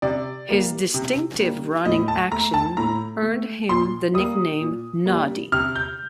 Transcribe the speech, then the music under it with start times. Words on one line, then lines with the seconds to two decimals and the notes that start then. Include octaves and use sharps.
His distinctive running action earned him the nickname "Noddy".
0.02 C3 D5
0.49 G3 A#3
0.94 C3
1.40 G3 A#3
1.85 A2 D#5
2.08 A5
2.32 A3 A#5
2.54 A5
2.77 A2 A#5
3.22 A3
3.69 A#2 C6
4.14 G3 A#3 D#6
4.61 A#2
5.06 G3 A#3
5.52 C3 F6
5.76 G6